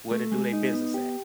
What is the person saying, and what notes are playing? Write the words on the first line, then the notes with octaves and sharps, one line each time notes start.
where to do they business at.
A3
G#3
D#4
B3
G4